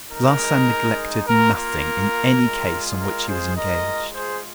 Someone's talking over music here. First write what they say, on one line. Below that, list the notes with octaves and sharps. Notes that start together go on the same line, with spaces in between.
Larsan neglected nothing in any case on which he was engaged.
G#3 D#4 A#4
A#3 F4 A#4
A#4
G#3 F4
A#4
G#4 C5
G#3 F4 A#4 D#5
G#4 C5